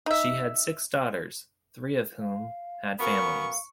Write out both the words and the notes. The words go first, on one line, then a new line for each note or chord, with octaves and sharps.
She had six daughters, three of whom had families.
D#4 E5
F5
F#2 B3 A#4 F5 C#6